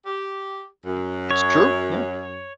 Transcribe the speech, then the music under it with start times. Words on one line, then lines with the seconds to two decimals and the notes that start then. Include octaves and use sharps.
I It's true, yeah.
0.06 G4
0.85 F#2
1.31 C#5